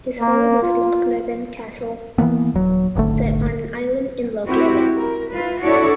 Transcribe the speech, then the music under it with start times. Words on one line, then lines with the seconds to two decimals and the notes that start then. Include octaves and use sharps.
His home was Lochleven Castle set on an island in Loch Leven.
0.19 A#3
0.62 F4
2.18 E3 F3 A#3 B3
2.54 D#1 F#3
2.95 D#1 G#1 D3 A3
4.46 C4 E4 F#4 G4
4.95 A#4
5.31 E4 F4 B4
5.63 D4 E4 F#4 A4 C#5 D5